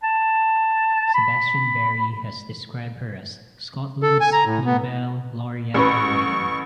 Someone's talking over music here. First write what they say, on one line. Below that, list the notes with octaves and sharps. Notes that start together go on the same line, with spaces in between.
Sebastian Barry has described her as "Scotland's Nobel laureate-in-waiting".
A5
B5
A4
G#5
A#5
A2
B3
A1 B4 C#6